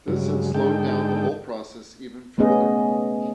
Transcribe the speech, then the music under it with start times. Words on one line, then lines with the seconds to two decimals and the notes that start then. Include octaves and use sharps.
This had slowed down the whole process even further.
0.08 G2 C#3 F#3 G#3
0.54 G#2 D3 G#3 D#4 A4 G5
2.38 A3 B3 C#4 G#4 D#5